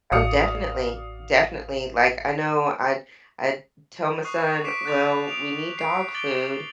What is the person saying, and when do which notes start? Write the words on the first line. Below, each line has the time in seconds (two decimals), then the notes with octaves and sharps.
Oh, definitely. Definitely. Like, I know I'd I'd tell my son, "Well, we need dog food,
0.12 A1 F#4 D5 F5 D#6 C#7
4.24 C#6 D#6 F#6 C7
4.64 C#6 D6 B6 C7 D7 E7
4.85 F#6 G6 A6 F7
5.28 D#6 D7 F7
5.78 C7 D7
6.14 D6 A6 D7 F#7 G7